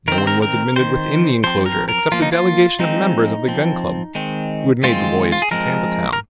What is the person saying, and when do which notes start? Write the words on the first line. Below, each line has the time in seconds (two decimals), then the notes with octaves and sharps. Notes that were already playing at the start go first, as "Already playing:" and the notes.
No one was admitted within the enclosure except a delegation of members of the Gun Club, who had made the voyage to Tampa Town.
0.08 D#3 C4 A#4
0.18 C5
0.27 A#4
0.42 A#4
0.76 D#3 C4 C5
1.44 F3 C4 C5
1.66 A#4
1.89 A#4
2.12 F3 A#3 F4
2.22 D#4
2.32 F4
2.79 F3 G#3 C4 D#4
3.48 F3 C4
4.15 D#3 G#3 C4
4.83 D#3 G#3 C4 F4
5.32 F4
5.42 G#4
5.51 F3 G#3 C4 A#4
6.13 A#4